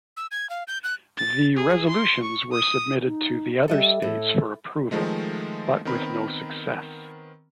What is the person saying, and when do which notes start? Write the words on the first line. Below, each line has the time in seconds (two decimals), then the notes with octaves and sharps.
The resolutions were submitted to the other states for approval, but with no success.
0.17 E6
0.31 G#6
0.50 F5
0.68 G6
0.83 F#6
1.18 A6
1.57 G#4
1.89 C6
2.22 C#6
2.52 D#6
3.05 D#4
3.68 G3 A4 D#5 E5
4.02 A2 A4
4.91 D#3 F3 G#3 A3
5.85 D#3 B3 C4 A#4 B5